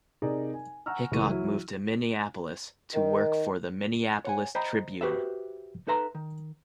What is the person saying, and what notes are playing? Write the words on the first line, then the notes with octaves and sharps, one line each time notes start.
Hickok moved to Minneapolis to work for the "Minneapolis Tribune".
C3 D#4 G#4 A#4 D5 A#5
G#5
F#5 G#5 A#5 C#6 E6 F6
C#2 E3 A3 A#4 C#6 D#7
E3 F#3 E4
D#3
C#5 F#5 G#5
C5 D#5 E5 G5 A#5 B5
F#4 G4 B4 C5 E5
D#4 A4 B4 E5 A#5 C6
D#3